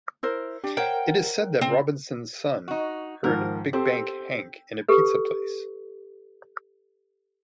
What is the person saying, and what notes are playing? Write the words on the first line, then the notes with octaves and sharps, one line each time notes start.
It is said that Robinson's son heard Big Bank Hank in a pizza place.
E4 A#4 C5
D4 G4
A#4 C5 C#5 F#5 G5
C#3 C4
D#4 F#4
G#2 D#3 F3 A#4
C4 G4 A4 C5
G4 A4 B4